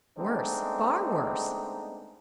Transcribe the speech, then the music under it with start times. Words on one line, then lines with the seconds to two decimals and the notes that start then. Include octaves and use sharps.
Worse; far worse!
0.18 G#3 A3 B3 C4 D4 D#4